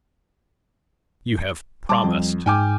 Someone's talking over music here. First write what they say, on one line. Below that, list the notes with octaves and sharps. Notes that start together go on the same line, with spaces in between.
"You have promised!"
G3 A5 D6
F2
G#2 G5 G#5 D6 F6 G6